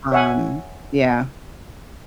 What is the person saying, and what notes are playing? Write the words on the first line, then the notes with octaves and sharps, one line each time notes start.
um, yeah.
C#5 E5 F#5 G#5